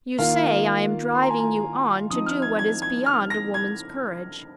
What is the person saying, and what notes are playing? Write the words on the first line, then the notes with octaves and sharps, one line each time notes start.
You say I am driving you on to do what is beyond a woman's courage.
D#3 A#3 F4 F5
C6
A#5
G#5
A#5
F3 C4 D#4 D#6
F6
G#6
G#6
G#6
F6
A#6
G#6